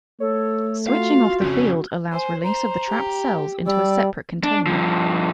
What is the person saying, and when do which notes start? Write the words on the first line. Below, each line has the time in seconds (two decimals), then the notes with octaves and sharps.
Switching off the field allows release of the trapped cells into a separate container.
0.20 A3 A4 C#5
0.87 F4 F#4 F5
1.41 F2 C#3
2.12 C5 G#5
2.43 C5 A#5
2.89 G4
3.67 G3 D5 E6
4.44 D4
4.66 G2 F3